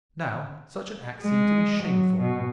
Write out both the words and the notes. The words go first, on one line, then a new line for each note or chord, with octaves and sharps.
Now, such an act seemed to me shameful.
G#3
F#3
B2